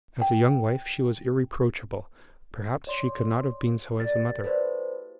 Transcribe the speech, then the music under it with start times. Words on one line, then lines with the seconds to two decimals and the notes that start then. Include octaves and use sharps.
As a young wife she was irreproachable; perhaps she could not have been so as a mother.
0.22 G5
2.87 C#5 D5 C6
4.00 G3 A#3 A6
4.44 G3 E4 F#4 A4 B4 C5